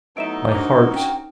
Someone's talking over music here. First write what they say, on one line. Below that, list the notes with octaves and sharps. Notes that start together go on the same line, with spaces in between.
My heart.
F#3 A3 B3 D#4 E4 E5 D7 E7
D4 F#4 A#4 C5 A#5 D6
C#4 G5